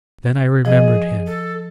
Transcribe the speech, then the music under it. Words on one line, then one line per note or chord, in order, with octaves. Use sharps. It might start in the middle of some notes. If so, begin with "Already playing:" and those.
Then I remembered him.
F3 G#4 D#5
A4